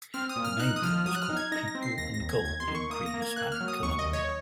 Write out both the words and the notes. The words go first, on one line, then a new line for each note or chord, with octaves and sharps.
The main room is called "People and Gold in pre-Hispanic Colombia".
C4 F6
D#6
A#2
F6
D#4 F#6
D#6
F3 F6
F#3 D#6
F#6
F6
D#4
G#6
D#4 A#6
A#6
C4
C7
D#2 A#6
A#6
D#2
G#6
D#2 G#6
C6
D#3
C#6
A#3 D#6
A#6
A#3
G#6
A#3 F#6
F6
F#3
D#6
D#2 C#6
D#5
D#2
C#5